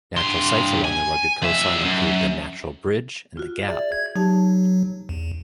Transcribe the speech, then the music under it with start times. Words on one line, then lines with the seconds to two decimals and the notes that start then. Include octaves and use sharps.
Natural sights along the rugged coastline include the 'Natural Bridge' and the 'Gap'.
0.17 G2 C6
0.84 G#5
1.42 F2 E5
1.85 F#2
3.37 F4 F#4
3.69 G#4 D5 E5
3.92 G#6
4.16 F#3 D#4 G4 A5
5.09 E2